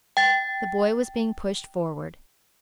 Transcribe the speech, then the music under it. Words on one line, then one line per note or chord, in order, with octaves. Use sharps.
The boy was being pushed forward.
G5 A6